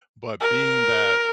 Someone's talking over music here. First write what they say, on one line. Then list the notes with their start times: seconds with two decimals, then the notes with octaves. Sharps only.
but being that
0.41 A#4